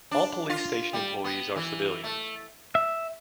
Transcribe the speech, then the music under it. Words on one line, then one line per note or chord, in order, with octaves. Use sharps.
All police station employees are civilians.
D4
F4
G3
B3
E3
A3
E5